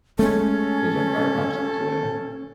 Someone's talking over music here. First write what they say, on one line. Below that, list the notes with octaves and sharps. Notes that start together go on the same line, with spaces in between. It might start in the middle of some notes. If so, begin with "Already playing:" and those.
Those are fire popsicles, yeah.
G#3 A3 C#4 A4